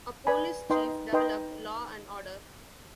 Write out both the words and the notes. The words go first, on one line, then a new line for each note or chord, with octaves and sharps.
A police chief developed law and order.
B4 D5 G#5 B5
D#4 B4 D#5 G5 C6
D#4 B4 D#5 G5 C6